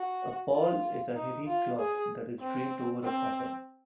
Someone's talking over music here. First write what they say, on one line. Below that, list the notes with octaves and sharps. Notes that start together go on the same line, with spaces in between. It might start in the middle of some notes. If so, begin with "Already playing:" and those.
A "pall" is a heavy cloth that is draped over a coffin.
Already playing: F#4
F4
D#4
F4
G#4
C4
C4